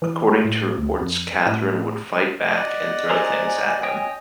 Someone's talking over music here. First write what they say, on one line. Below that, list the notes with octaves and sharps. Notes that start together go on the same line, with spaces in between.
According to reports, Catherine would fight back and throw things at him.
E3
A2
D2
F2
A2
D5 D#5 F#5
G#4 C5 G#5 A#5
C#5 D#5 G5